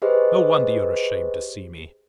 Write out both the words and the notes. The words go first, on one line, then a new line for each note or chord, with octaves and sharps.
No wonder you are ashamed to see me.
G4 G#4 B4 C5 D#5